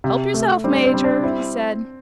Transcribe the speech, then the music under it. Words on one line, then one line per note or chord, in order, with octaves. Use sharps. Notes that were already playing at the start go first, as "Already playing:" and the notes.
"Help yourself, Major," he said.
C3
A3
G3 C4
D4
C4
G3
D4
C4 E4